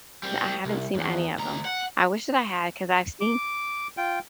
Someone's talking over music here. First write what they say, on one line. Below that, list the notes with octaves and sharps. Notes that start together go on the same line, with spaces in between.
I haven't seen any of them. I wish that I had, 'cause I've seen
G3 C4
C2
E2 G2
D2 A#5
F#5
D6
F4 G5